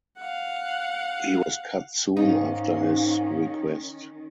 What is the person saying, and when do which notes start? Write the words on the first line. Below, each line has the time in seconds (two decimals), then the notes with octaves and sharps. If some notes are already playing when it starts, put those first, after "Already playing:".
He was cut soon after his request.
0.18 F5 F#5
2.17 G#2 D#3 C#4 D#4 F5